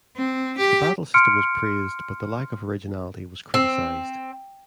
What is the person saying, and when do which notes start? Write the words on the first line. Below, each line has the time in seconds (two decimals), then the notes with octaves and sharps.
The battle system was praised, but the lack of originality was criticized.
0.16 C4
0.58 G4
1.14 C6 F6 C#7 D7
3.54 C4